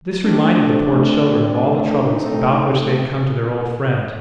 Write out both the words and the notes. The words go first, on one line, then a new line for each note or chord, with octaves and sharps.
This reminded the poor children of all the troubles, about which they had come to their old friend.
A3 C4 D4
D4
A3 C4 D#4